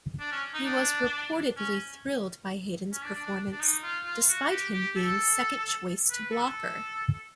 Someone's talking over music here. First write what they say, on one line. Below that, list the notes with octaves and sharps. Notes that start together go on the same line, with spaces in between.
He was reportedly thrilled by Hayden's performance, despite him being second choice to Blocker.
D4
C#4
D#4
D4
C#4
C#4
D4
D4
D4
D4
D#4
F4
F4
F#4
G4
G4
A4
B4
A4